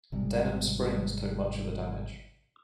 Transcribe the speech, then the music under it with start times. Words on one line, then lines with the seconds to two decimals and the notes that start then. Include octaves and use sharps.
Denham Springs took much of the damage.
0.12 G#1 C3 G3 G#3